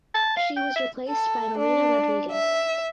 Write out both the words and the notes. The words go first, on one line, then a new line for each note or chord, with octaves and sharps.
She was replaced by Marina Rodriguez.
A5
F5
G5
E5
A4
D4
E5